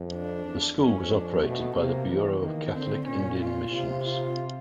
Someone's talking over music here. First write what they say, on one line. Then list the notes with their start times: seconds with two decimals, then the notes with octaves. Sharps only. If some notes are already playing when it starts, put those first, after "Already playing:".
The school was operated by the Bureau of Catholic Indian Missions.
Already playing: F2
0.14 D4
0.46 E2
0.79 F2 C#4
1.11 D4
1.43 B2 A3
1.76 C3 A#3
2.09 E3 B3
2.41 D#3 A#3
2.74 D3 C4
3.07 A#2 C#4
3.40 F4
3.72 C3 F4
4.04 F4